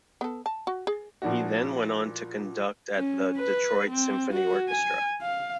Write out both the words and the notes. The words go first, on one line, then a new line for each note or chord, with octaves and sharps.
He then went on to conduct at the Detroit Symphony Orchestra.
B3 A4
A5
F#4
G#4
A#2 F3 D4 E4 F#4
C#4
B4
C4
F#4
G#5
F5